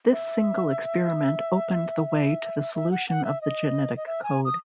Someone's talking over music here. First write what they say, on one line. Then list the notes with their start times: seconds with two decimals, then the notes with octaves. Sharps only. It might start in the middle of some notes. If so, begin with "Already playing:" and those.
This single experiment opened the way to the solution of the genetic code.
0.12 E5
2.75 E5
2.91 F#5
3.09 F#5
3.25 E5
3.41 D#5
3.97 D#5
4.07 E5
4.23 G#5
4.45 D#6